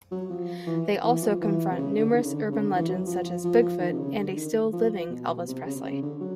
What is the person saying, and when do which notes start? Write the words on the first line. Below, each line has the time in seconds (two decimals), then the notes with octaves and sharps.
They also confront numerous urban legends such as Bigfoot and a still-living Elvis Presley.
0.11 F#3
0.30 F3
0.67 E3
1.04 E3
1.22 F3
1.41 E3
1.71 C3
1.78 C#3
1.90 C#3
1.96 D3
2.14 D#3
2.25 C#3
2.33 D3
2.52 C#3
2.63 D3
2.76 E3
2.88 F#3
3.07 F3
3.25 F3
3.44 F3
3.62 F3
3.80 D#3
3.93 C3
3.99 C#3
4.18 D3
4.37 D#3
4.73 F3
5.10 B2
5.48 C3
5.66 C#3
5.75 C3
5.84 C#3
6.02 D3
6.21 F#3